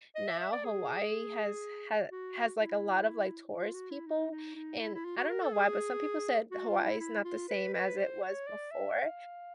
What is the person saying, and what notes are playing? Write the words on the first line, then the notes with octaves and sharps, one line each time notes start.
now Hawaii has ha has, like, a lot of, like, tourist people, and I don't know why, but some people said Hawaii is not the same as it was before,
D#5
E5
E5
D5
G#4
F#4
E4
F4
F#4
E4
D#4
D#4
D#4
E4
E4
F4
F#4
A#4
A4
G#4
F#4
F4
E4
E4
F4
B4
B4
C5
C#5
D5
E5
F5